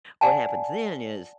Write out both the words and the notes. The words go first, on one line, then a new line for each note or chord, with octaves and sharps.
What happens then is-
D5 F#5 G#5 A5